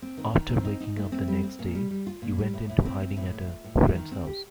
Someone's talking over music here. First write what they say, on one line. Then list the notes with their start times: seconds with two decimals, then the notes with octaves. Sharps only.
After waking up the next day, he went into hiding at a friend's house.
0.02 C4
0.18 D#3
0.34 D#3
0.49 C4
0.65 D#4
0.80 D#4
0.96 A3
1.12 C4
1.28 G3
1.44 C4
1.59 A#2
1.75 G3
1.91 G3
2.07 F4
2.22 A#2
2.38 G3
2.54 A2
2.69 A2
2.85 C4
3.01 C4
3.17 A2
3.33 A3
3.48 F4
3.64 A2
3.80 G3
3.96 D#3
4.12 C4
4.27 G4